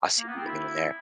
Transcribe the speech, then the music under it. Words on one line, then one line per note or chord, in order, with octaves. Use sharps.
I see what you mean there.
A#3
B3
C4
E4